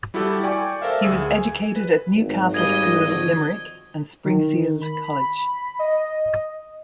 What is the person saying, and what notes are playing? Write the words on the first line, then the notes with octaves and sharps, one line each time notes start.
He was educated at Newcastle School, Limerick, and Springfield College.
G3 E4 F#4 G4 A4
D5 G5 G#5 C#6 D6
A4 A#4 C5 E5 F5
D2 G#4 E6
G#5
B4
G#1
G3 A#3 C#4 D#5 G#6 G7
D3 F3 F#4
D#3
B5
D#5